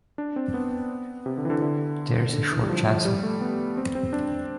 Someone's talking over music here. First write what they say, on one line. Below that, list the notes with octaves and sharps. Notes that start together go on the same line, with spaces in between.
There is a short chancel.
D4
C4
B3
C3
D3
E3
D3
D3
D3
E3
G3
F3
F3
G3
A3
B3
C4
C4
D4